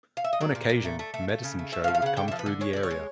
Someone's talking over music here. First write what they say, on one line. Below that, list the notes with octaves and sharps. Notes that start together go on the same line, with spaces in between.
On occasion, a medicine show would come through the area.
F5
E5
D#5
F#3 D5
A#2
A#2
A3
A3
A3
A3
C#3
A3
A3 E5
F5
F3
F5
C#3 F#5
D3 G5
E5
F3
B4
D3
G#3 C#5
D3 D5
C#5
G#3